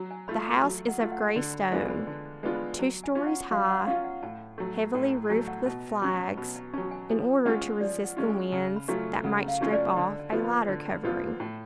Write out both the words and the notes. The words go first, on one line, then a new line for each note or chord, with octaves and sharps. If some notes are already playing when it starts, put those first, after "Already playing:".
The house is of grey stone, two stories high, heavily roofed with flags, in order to resist the winds that might strip off a lighter covering.
Already playing: F#3
G#5
A3 F4 B5
A5
F#3 B5
F#5
A3 F4
F#5
D3 A5
B5
G#3 B3 D4 F4 A5
B5
D3 A5
G#3 B3 D4 F4
B5
F#3 A5
G#5
C#4 F4
F#5
F#3 F5
F#5
C#4 F4 F5
F#5
A2 A5
F#3 A3
A2 A5
A5
F#3 A3 G#5
F#5
B2 A5
F#3 C#4
B2 B5
A5
F#3 C#4 A5
G#5
F3 G#5
G#3 C#4 F4 F#5
F3 D5
F#5
G#3 C#4 F4
G#5
C#3 A5
B5
F#3 A3 C#4 F4
A5
C#3 F#5
F5
F#3 A3 C#4 F4
D5
D3
A5
F3 B3 F4
B5
D3
B5
F3 B3 F4
A2